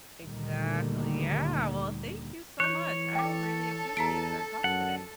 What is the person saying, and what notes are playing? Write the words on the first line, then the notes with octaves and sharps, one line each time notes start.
Exactly. Yeah, well, thank you so much, I really appreciated our talk today.
D2 A#2 D3 D#3 G3 A#3
E3 C#5 F#6 G6
A4 G5 A5 D6
E2 A#5 B6 D7
F#2 F#5